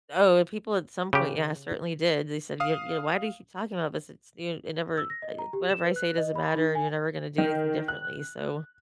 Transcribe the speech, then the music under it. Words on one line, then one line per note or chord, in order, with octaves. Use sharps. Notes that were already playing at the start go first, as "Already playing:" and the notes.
Oh, people at some point, yeah, certainly did. They said, you're yeah, “Why do you keep talking about this? It's you it never I whatever I say doesn't matter, you're never gonna do anything differently, so,
C#3 G4
F5 D#6
E6
A#6
D#5
A#5
G4
E7
B4
F#6
D#5
B5
D#4
G#5
D#3
F#6